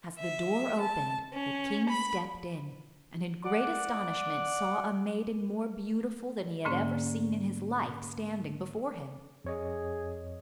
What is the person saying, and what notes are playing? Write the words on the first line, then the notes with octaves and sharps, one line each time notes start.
As the door opened, the king stepped in, and in great astonishment saw a maiden more beautiful than he had ever seen in his life standing before him.
E5
A5
C#4
B5
D5 F#5 D6
G#2 D3 A#3 C#4
F2 G#4 C#5 D#5